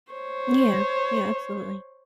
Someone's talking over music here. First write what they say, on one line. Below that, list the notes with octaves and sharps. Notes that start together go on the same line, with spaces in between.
Yeah, yeah, absolutely.
C5 C#5